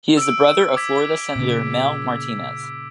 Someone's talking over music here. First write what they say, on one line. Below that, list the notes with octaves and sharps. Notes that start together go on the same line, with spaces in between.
He is the brother of Florida Senator Mel Martinez.
E6 D7
D6 G#6 B6
A#2 C#3